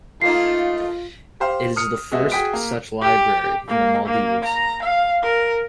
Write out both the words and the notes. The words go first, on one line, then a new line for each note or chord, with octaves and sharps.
It is the first such library in the Maldives.
A3 A#3 D#4 F4 C7
G4 C5 F5
D#6 F6 C#7
G#3 B3 F#4 D#5 E5
F#4 G#4 G5 D#6 B6 D7
A#3
G4
A#3
A#3
A#5
F5
A#4